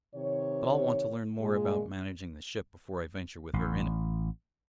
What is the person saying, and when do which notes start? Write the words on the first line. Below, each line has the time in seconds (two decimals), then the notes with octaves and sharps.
But I'll want to learn more about managing the ship before I venture with her in it.
0.15 C3 D#3 C#5
1.41 A#2 G#3
3.53 A1